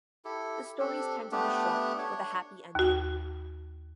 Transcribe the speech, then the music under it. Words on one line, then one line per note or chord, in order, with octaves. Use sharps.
The stories tend to be short, with a happy ending.
E4 G4 A4
C4 D4 G4 A4
A3 B3 D4 G4
D4 C#5
D#2 F#4